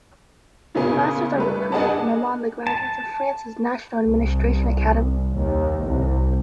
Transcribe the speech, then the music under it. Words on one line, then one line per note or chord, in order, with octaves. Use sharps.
Masters are recruited from among the graduates of France's National Administration Academy.
A#2 C#3 A#3 B3 G#4
G3 A3 B4
D4 G#4 A#4 D#5 F#5 A5
A5
C2
D#2
C2